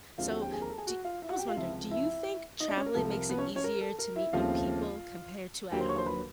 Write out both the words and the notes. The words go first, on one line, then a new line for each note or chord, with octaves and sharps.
So, do I was wondering, do you think traveling makes it easier to meet new people compared to at home?
D#2 D3 F3 G#3 C4 F4 F5
F#4 F#5
G4 G5
G#4 G#5
A#4 A#5
A4 A5
G#4 G#5
F#4 F#5
F4 F5
E4 E5
F#4 F#5
G4 G5
F4 F5
C#2 C3 F3 E4 E5
E4 E5
D#4 D#5
D4 D5
C#4 C#5
A#4
C2 C3 F3 A4
A#4
B3 B4
C#4 C#5
C#4 C#5
A#4
A4
A#4
E4 E5
D#2 C#3 F3 A3 C4 F4 F5
D#2 D3 F#3 A#3 G4 G5
C5 C6
C#5 C#6
C5 C6
B4 B5